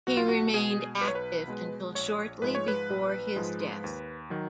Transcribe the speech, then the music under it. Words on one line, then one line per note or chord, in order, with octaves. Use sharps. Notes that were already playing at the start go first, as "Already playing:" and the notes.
He remained active until shortly before his death.
B1 F#4
F4
F#4
B2 G#3 G#4
B1 B4
C#5
B4
B2 G#3
A#1 C#5
G#2 F3 G#3 B4
C#5
B4
A#1
G#2 F3 G#3
D#2
D#3 F#3